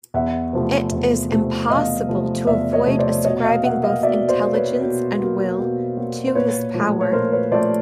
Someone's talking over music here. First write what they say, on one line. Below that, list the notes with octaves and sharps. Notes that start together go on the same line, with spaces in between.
It is impossible to avoid ascribing both intelligence and will to this power.
E2 E5 F#5
C3 F3 A3
E2
C3 F3 A3
E2 D#5 F5
C3 F3 A3
E2 D5 E5
C#5 D#5
C3 F3 A3
C5 D5
B2 C#5 D#5
D#5 F5
F#3 A#3 E5 F#5
D#5 F5
B2 D5 E5
C5 D5
F#3 A#3
B4 C#5
B2
F#3 A#3
B2
F#3 A#3
C5
A#2 B4 C#5
F3 A3
C#5
A#2 A#4 C5
B4 C#5
F3 A3 C5 D5